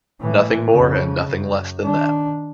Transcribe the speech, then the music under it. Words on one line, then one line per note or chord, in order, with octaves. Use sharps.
Nothing more and nothing less than that.
A2 E3
F2 C#3
F#2
D#3 D4